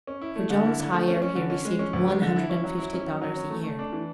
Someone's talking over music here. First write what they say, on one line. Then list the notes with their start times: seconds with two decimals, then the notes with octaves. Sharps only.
For John's hire he received one hundred and fifty dollars a year.
0.07 C#4
0.22 E4
0.36 A3
0.50 D3
0.64 E4
0.79 D3
0.93 A3
1.08 C#4
1.22 C#4
1.35 D3
1.50 C#4
1.65 G#3
1.79 C#4
1.93 D2
2.08 G#3
2.22 D3
2.36 E4
2.50 C#4
2.64 F#3
2.78 E4
2.93 C#4
3.07 F#3
3.22 F#3
3.36 C#4
3.49 A3
3.64 A3
3.79 D4
3.93 E3